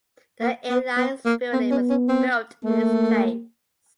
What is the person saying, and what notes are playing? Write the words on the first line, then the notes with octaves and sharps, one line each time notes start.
The Airlines Building was built in its place.
A#3
B3
B3
A#3
B3 C4
C#4
C#4
C4
A3 A#3